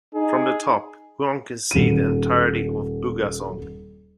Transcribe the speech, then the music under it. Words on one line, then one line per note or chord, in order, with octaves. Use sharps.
From the top, one can see the entirety of Bugasong.
D#4 G#4
D#1 D#7